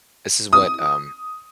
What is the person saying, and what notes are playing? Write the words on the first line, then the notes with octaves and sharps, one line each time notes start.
this is what, um,
D#6